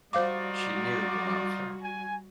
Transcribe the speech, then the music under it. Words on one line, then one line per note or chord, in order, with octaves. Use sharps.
She knew he loved her.
G3 D#4 F4 F#4 C5 D5 F5 D6
G#5